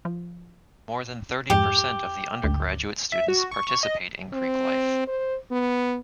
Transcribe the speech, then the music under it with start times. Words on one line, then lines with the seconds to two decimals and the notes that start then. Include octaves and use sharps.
More than thirty percent of the undergraduate students participate in Greek Life.
0.05 F3
1.50 F2 G#2 G4
2.44 G#1 D2
3.12 E5
3.28 F#4
3.51 C#6
3.83 D#5
4.33 C4
5.08 C5
5.51 B3